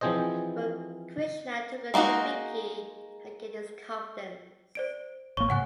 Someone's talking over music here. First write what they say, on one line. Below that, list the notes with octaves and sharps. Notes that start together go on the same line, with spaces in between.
But Krishna took her to Vicky and gained his confidence.
E3 F3 C4 G#4 C5 D#5
G#3 A#3 D4 D#4 F#4
C5 D5 D7
A1 A#3 C#5 C#6
G#2 C#3 F#5 G#5 F#6